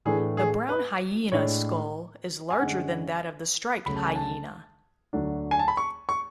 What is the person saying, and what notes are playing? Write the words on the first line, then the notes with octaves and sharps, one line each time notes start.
The brown hyena's skull is larger than that of the striped hyena.
A2 E3 A3 D4 G#4
G#4
B4
A2 G#3 D4 C#5
G#5
F#2 D3 G#3 C#4 F#5
C#2 C#3 F#3 A3 B5
A5
G#5
A5
D2 D3 F#3 A3 D4
G#5
A5
B5
C#6
C#6